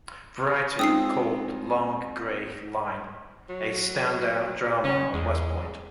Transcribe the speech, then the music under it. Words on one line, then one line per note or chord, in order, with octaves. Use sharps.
"Variety" called "The Long Gray Line" "..a standout drama on West Point".
G#3 C4 C#4 D#4 F4 D#6 E6 C7
F#3
C#3 C#4
E2 G#3